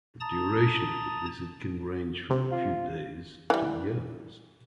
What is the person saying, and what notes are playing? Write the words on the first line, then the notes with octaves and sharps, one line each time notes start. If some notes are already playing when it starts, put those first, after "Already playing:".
The duration of the visit can range from a few days to years.
A5 A#5 D#6 A6
C3
F4
E3 G3